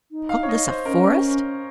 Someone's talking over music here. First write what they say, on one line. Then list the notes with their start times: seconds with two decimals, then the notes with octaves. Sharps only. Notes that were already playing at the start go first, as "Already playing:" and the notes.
Call this a forest?
0.11 D#4
0.29 F5
0.43 C#5
0.49 D#5
0.67 C5
0.85 C#4 A#4